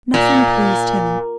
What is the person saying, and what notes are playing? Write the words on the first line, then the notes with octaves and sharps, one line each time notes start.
Nothing pleased him.
A#2